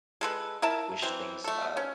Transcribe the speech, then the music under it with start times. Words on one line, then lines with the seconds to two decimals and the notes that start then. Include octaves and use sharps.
wish things, uh,
0.21 G#3 A4 B4
0.62 E4 A#4 E5 A5
1.02 E3 C4
1.44 A3 A4
1.77 C#4